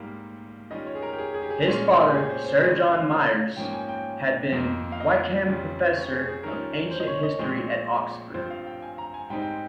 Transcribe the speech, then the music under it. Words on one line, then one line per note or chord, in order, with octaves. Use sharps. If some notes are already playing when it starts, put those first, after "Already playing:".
His father Sir John Myres had been Wykeham Professor of Ancient History at Oxford.
Already playing: G#2 G3 A#3 F5
D#3 G3 C#4 F4 D#5
C#5
G#4
A#4
G4
G#4
G#4
G4
G#4
A#2 G#3 C#4 F4
G4
G#4
C5
C5
C#3 F3 G#3 C#4 D#5
D#5
F5
G#2 F3 A#3 C#4 G5
G#5
G5
F2 D#3 A#3 D#4
F5
D#5
F2 C#3 G3 C#4 F4
C#5
G#4
G#4
D#3 G3 C#4 F4 A#4
C5
D#5
C#5
D#5
A#2 F3 G#3 C4 C#5
G2 F3 C4 F4 C5
F5
G5
G#5
A#5
G#5
G#2 G3 C4 D#4 G5
G5